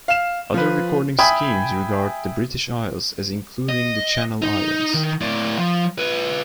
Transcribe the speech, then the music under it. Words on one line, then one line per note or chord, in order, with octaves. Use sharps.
Other recording schemes regard the "British Isles" as including the Channel Islands.
F5 E7
F3 B4
E5 G5 G#5 B5 D#6 G#6
D#5
D#4
D#3
A2 D5
F3
F4 B4